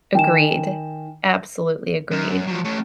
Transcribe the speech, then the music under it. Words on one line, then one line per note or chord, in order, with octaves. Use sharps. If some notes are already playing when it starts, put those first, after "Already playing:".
Agreed, absolutely agreed.
D#3 G5 G#5 E7
F#2
F3 F#3
A3 C#4